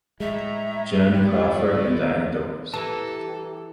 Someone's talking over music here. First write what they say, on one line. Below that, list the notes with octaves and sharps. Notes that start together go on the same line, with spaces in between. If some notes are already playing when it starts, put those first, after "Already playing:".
Joan Crawford and Diana Dors.
A2 G#3 A3 E5 A#5
A3 E4 F4 G4 D5
E3 G4 A4 A5 A#5